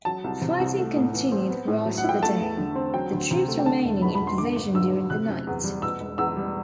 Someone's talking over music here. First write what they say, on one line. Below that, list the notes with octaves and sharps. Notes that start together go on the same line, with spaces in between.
Fighting continued throughout the day, the troops remaining in position during the night.
F#3 A5
C2
C3
C2
A3
A2
E3
C4
B3
A2
F#3
F#5
E4
G5
A3 A5
E2
D3
C4
F#3 G5
D2
C3
A3
G5
D3 A5
E1
E2 B5
B5
E1
C6
D3 D6
G1
G2 E6
F#3
C3 F#6
F#1
E2
G3
B2 E6
E1
E2 E6
G3